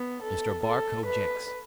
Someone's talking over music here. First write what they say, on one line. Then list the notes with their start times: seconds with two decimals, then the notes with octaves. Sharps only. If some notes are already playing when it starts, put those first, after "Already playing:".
Mr. Barcoe Jenks.
Already playing: B3
0.23 A4
0.64 A4
1.06 B4